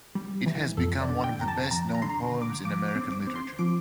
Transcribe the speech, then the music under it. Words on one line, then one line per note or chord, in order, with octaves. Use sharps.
It has become one of the best-known poems in American literature.
G3
E3
F2 A4
D5
D3
G5
F2 A#5
A5
F2 A#5
A#5
D3 C6
A#5
D3
D6
F3 D6
D6
C4
D6
C4
C6
F3 D6